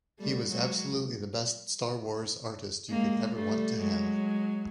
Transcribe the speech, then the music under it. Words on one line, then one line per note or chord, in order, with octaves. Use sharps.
He was absolutely the best "Star Wars" artist you could ever want to have.
G3 A3
F#3 G#3
G#3 A#3
G3 A3
F#3 G#3